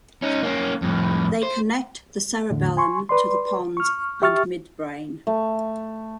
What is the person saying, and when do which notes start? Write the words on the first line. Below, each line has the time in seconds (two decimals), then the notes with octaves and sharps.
They connect the cerebellum to the pons and midbrain.
0.22 C#4 D#4
0.43 A#3 C#4
0.82 F2 A2
1.43 C5
2.50 E2 A2 D3
2.77 G#5 C6 C#6
3.09 B4 D5 C6
3.77 C#6 F6
4.22 G4 E5 C#6 F6 A6
5.27 A3